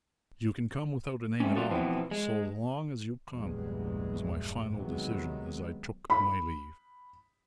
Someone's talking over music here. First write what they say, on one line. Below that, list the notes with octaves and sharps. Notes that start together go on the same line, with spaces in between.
"You can come without a name at all, so long as you come," was my final decision as I took my leave.
G#3 A3 C4 C#4
G3 A3 F4 F#4 A4
B2 E3 F3 B3 C4
G#3
A#1 E2 G2 F#3 G#3
C3 D#3 F#3 G#3 B3
B5